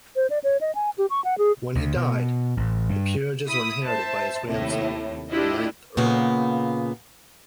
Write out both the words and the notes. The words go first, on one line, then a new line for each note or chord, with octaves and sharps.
When he died the peerages were inherited by his grandson, the ninth Earl.
C5
D5
C#5
D#5
G#5
G4
C#6
F#5
G#4
D2
B2
A1
G2
E4 B5 D#6
C5 E5 A5
D#2 A2 C3
D4 E4 F4 G4 D5 D#5
A#2 C#3 A#3 B3